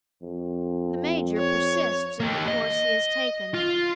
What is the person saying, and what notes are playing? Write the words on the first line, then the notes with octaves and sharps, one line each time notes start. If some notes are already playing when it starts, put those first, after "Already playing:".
The major persists in the course he has taken.
F2
C#5
A#3 G4
D#5
F4